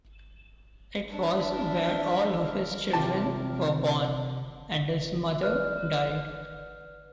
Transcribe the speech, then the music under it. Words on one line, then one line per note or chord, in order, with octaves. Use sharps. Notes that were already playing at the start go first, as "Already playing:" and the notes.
It was where all of his children were born and his mother died.
D4 E5
C3 A#3 F4 G4 G5 A5
B4 D5 F6 F#6